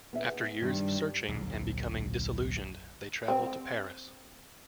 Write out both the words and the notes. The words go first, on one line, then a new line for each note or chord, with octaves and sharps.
After years of searching and becoming disillusioned, they travel to Paris.
B3 G#4 E5
G2 D#3 G3
D1 A#1 F2 F#3
C4